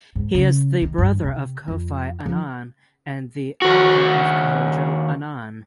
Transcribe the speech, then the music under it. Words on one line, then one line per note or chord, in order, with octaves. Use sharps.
He is the brother of Kofi Annan and the uncle of Kojo Annan.
G#2
C#3
D#3
G2
C3
F2
F3
D#2 F#4